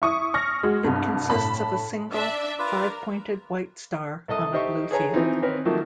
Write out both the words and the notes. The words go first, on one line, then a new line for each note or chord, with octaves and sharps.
It consists of a single, five-pointed white star on a blue field.
E4 C#6 D#6
C#6 F6 A#6
G#3 F#4
C2 G2
A2 A5 B5
D4 D5 E5
F4 A#4 B4 D6
C2 A4 D#5 D#6
D#4 G4 C5 D#5 E5 C#6
G#4 A4 B4 C#5 G#5 A#5
E3 F3 C4 D#4
D#3 C4 A#4 B4 C#5
D#3 F3 F#3 A3 A#3 D#4